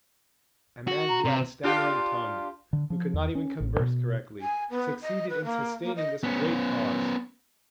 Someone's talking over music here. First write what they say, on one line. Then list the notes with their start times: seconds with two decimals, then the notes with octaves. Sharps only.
A Man Who had a stammering tongue, Who could not even converse correctly, succeeded in sustaining this great Cause!
0.87 F#4
1.09 A#5
1.25 C3
1.63 D4 F4 G4
2.73 D3
2.90 F3
3.14 E2
3.35 C#4
3.60 A1
3.80 B2
4.41 G#5
4.71 B3
5.02 D#5
5.30 B4
5.45 A#3
5.83 A#3
5.96 D#5
6.23 B3 C#4